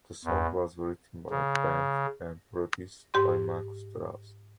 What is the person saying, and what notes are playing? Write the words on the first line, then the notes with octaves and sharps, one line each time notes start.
The song was written by the band and produced by Markus Dravs.
E2
C#3
G#2 G4 C6